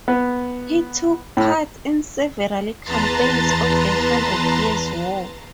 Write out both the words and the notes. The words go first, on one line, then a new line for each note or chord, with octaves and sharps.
He took part in several campaigns of the Hundred Years War.
B3
A2
E2 B4 A5 A#5 C6 A6